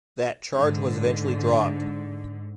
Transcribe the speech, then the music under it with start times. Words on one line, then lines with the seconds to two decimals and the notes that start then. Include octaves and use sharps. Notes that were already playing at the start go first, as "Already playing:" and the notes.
That charge was eventually dropped.
0.55 G#2 D3